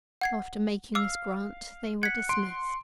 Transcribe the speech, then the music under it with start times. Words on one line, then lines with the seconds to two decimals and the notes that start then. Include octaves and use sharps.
After making this grant, they were dismissed.
0.21 F#5 G#6 C7
0.95 F5 D6 E6
2.03 F#5 G#6 B6
2.29 C6 D7